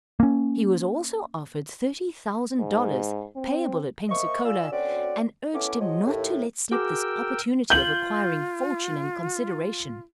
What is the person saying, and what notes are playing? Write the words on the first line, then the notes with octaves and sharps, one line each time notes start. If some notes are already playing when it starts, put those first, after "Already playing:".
He was also offered thirty thousand dollars, payable at Pensacola, and urged him not to let slip this opportunity of acquiring fortune and consideration.
A#3 C#4
G#2
C4
A#3 C5 D#5 E5 C#6
F4 D5 F5 G#5 E6
D2 C4 C#4 F#4 D5
A2 A3 B3 C#4 E4 D6
F3 F#3 G#3 C#5 D#5
D#2 A2
F#4 G#4 A#4 G5 D6 E6
F4 G6 F#7